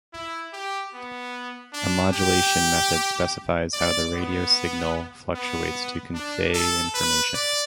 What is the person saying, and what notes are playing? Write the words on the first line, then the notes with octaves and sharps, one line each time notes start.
A modulation method specifies how the radio signal fluctuates to convey information.
E4
G4
B3
D4
G4
D5
B3
B3
D4
A4
B4
D5